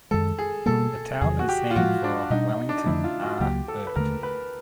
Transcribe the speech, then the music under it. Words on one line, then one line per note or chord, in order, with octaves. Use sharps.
The town is named for Wellington R. Burt.
F#2 D#3 G#3 A4
G#4
B2 G3 A#3 A4
E2 C3 D#3 F#3 G#4
F#4
G4
F4
A2 F3 G#3 F#4
D4
B2 G3 B3 D4 D#4
D4
D#4
F2 D3 F3 A3 E4
F4
F#4
C#2 C#3 F#3 A#3 G4
A4
B4
D#2 D3 F3 A3 A#4
B4